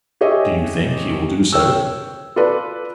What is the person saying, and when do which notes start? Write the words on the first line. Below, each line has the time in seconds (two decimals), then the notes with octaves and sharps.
"Do you think he will do so?"
0.21 G4 G#4 C#5 D#5 E5
1.53 C#5 G5 E6
2.36 F4 A4 B4 D5